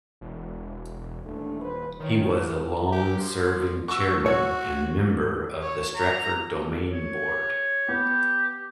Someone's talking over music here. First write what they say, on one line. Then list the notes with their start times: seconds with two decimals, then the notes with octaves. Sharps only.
He was a long-serving chairman and member of the Stratford Domain Board.
0.21 E1
1.26 D#1 E3 A3 D4
1.62 B4 C5
2.00 D#3 E3 C#5
2.92 G4
3.19 F3
3.88 F#4 C#6 E6
4.26 F#4 C#5
5.62 C#5
5.95 A#5
6.92 C#5
7.88 B3 G4